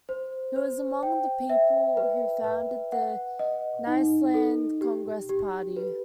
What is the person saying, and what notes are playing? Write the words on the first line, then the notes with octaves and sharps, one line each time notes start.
He was among the people who founded the Nyasaland Congress Party.
C5
C5
G5
E5
B4
B4
F#5
D#5
D#4
A4
G4
G4
B4